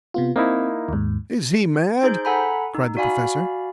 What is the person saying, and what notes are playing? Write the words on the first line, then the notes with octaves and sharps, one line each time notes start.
"Is he mad?" cried the Professor.
C3 B3 F4
A#3 C4 D#4 E4
D#2 G#2
D#4 G#4 C5 G6
A4 F#5 G#5 A#5 B5
D#4
F#4 D5 F5 G#5 B5